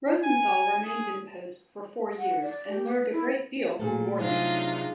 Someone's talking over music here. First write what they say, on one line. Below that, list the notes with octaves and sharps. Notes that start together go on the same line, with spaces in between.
Rosenthal remained in post for four years and learnt a great deal from Morley.
G#5
G#4
F#5
D5
G4
B4
E4
A#2 A3 G#4 A4
C3 F#3 D4 D#4 F4